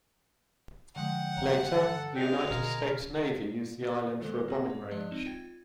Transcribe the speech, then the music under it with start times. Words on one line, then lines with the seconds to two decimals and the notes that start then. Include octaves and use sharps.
Later, the United States Navy used the island for a bombing range.
0.96 D3 F3 G#3 F#5 G5
1.36 G2 D3 C#5 F5 A#5
1.73 A4
2.15 G#3 F#4 C5 D5 F5 G5
2.50 B2 D3 A#4
4.20 D#3 G#3 A4 C5 G7
4.48 C4 G#4 F#5
4.70 C#5
4.91 F3 G#3 D5 D#5
5.11 C4 D#4 E7
5.26 F4 G5 G#6